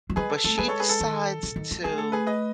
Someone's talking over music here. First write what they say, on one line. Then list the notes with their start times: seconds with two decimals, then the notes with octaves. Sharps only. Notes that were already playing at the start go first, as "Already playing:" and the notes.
But she decides to
0.09 F#3
0.16 G#3 G#4 B4
0.30 A4
0.44 A3 A4
0.58 G#3 G#4 B4
0.68 A4 C#5
0.80 G#4 B4
0.89 A4
1.00 D#3
1.43 C#3
1.56 D#3
1.71 G#3
1.84 A3 G#4
1.98 A4
2.12 G#4 B4
2.27 B4 D#5